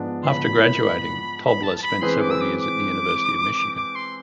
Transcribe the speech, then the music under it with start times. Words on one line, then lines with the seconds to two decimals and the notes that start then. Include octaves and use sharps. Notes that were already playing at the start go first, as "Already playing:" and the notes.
After graduating, Tobler spent several years at the University of Michigan.
Already playing: G#2 F3 B3 D4
0.23 C6
0.28 B5
1.44 B5
1.63 A5
1.78 A5
1.82 B5
2.01 E3 G#3 C4 G#4 B4 C6
2.21 D6
2.31 E6
2.41 D6
2.60 D6
3.76 D6
3.95 C6